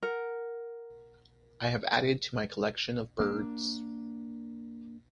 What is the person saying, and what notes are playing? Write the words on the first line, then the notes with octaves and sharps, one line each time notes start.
I have added to my collection of birds.
A#4 F#5
A#3 D4